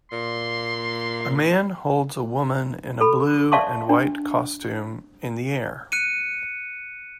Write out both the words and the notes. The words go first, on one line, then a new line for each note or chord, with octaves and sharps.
A man holds a woman in a blue and white costume in the air.
A#2 C6
A4 B5
D5 E5 F5 A5 C6 C#6
D4
F#6 C#7 D#7